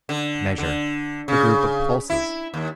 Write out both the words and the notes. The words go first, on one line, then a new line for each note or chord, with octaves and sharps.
Measure: A group of pulses.
D3
D3
C#3
E4
D#2